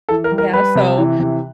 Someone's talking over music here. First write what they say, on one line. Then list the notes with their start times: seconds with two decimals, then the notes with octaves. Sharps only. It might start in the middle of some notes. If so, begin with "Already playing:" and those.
yeah, so
0.09 E3 A4
0.24 A#4
0.31 G3
0.38 A#4
0.53 G3 B4
0.75 C3
0.98 E3
1.19 C3